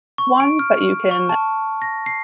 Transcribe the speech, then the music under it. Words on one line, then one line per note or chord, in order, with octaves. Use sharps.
ones that you can
C#6
D7
F6
C#6
A5
A#6
C7